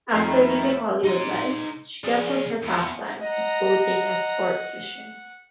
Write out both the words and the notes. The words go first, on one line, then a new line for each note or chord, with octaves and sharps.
After leaving Hollywood life, she kept up her pastimes of boating and sport fishing.
G#1 F2 D#3 A3 E4 D#5 G5 C7
D#4 C6
G#4 D5
E2
D#5 F#5 A#5